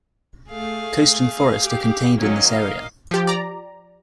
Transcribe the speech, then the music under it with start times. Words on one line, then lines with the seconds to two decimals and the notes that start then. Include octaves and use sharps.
Coast and forest are contained in this area.
0.50 A3 G#4 F5
1.60 G4
2.17 D#3 F#3 A#3 C#4 D#5
2.50 F5
3.11 F3 G4
3.27 D5 A#5